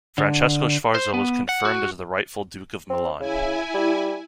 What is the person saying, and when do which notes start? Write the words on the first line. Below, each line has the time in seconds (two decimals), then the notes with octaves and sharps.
Francesco Sforza was confirmed as the rightful duke of Milan.
0.18 D3
0.95 C5
1.14 B3
1.49 F#5
1.65 F#4
2.90 C4
3.20 C#3 E4 G#5
3.74 G3